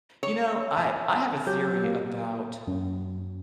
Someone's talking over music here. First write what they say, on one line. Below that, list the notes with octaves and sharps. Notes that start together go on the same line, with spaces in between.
you know, I I have a theory about
C#5
E5 G#5 A5
F#3 G4 G6
A#3
F#2